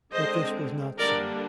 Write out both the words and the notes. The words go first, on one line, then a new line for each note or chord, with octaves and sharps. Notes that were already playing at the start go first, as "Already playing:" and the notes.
But this was not so.
D3 G#3 C4 C5 D#5
D3 G3 A#3 D4 A#4 D5